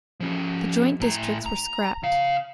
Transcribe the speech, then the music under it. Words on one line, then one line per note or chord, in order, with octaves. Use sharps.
The joint districts were scrapped.
F3 C#4
A2 A#5
A#5
C#3 F5